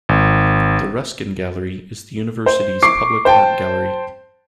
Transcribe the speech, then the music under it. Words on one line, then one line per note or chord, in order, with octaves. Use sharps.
The Ruskin Gallery is the university's public art gallery.
G#1
C5
C#6 D6 C7
C5 G5 A5